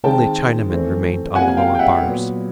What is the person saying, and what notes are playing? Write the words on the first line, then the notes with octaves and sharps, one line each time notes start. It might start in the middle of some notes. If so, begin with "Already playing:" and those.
Only Chinamen remained on the lower bars.
D#3 G#3 C4 G5 A5
E3 A3 C4
C3 F3 A#3 F#5 G#5
F5 G5
G5
E5 F#5
A#2 F#3 B3